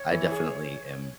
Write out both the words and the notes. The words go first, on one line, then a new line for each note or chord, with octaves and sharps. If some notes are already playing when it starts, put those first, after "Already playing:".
I definitely am,
Already playing: C#5
E3
G#4